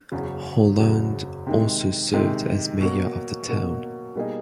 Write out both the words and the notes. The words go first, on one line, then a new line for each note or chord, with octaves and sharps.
Hollande also served as mayor of the town.
F#1 E2 C#3 F#3
F#1 E2 C#3 F#3
C3 D#3 G#3
C3 D#3 G#3
B2 F#3 A#3
B2 F#3 A#3
B2 G3 A#3 D#4 G#4